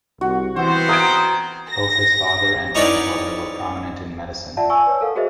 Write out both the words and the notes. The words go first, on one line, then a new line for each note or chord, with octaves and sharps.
Both his father and grandfather were prominent in medicine.
C2 F#4
E3 B3 C4 F#4 C5
A#4 D#6 G#6 D7
A#6
C#4 D#4 E4 B4 C#5 D5
F4 D5 E5 F#5 A5
G#5 C#6 E6
B4 C#5
A4 A#4 F5 F#5
F#4 G#4 A#4 C5 D#5 E5